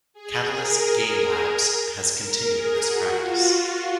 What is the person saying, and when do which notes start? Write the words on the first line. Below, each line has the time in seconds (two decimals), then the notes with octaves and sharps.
Catalyst Game Labs has continued this practice.
0.14 G#4
0.47 A#4
2.15 A#4
2.49 G#4
2.82 F#4
3.16 F4